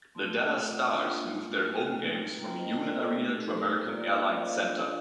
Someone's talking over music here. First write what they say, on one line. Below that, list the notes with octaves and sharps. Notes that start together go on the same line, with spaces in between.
The Dallas Stars moved their home games from Reunion Arena to American Airlines Center.
A3 C4 F4 A5 C6
A#3 D4 F4
A3 D#4
G3 A#3 F4 G5 A#5
C5 D#5
A#4 D5
A#4
A4 C5
A3 D#4 G4 A#4
A4 C5
A#3 F4 A#4 D5
C5 D#5
D5 F5
D5 F5
G3 D4 F4